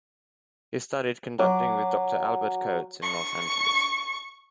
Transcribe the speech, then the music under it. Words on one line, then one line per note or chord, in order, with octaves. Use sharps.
He studied conducting with Doctor Albert Coates in Los Angeles.
F#3 D6
C#6